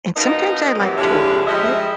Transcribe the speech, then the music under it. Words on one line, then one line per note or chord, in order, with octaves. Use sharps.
and sometimes I like to walk it
F#2 B2 A#3 D#4
C3 E3 F#3
D3 F3 G#3 C#4 E4 G4
F3 G3 G#3 D#5 E5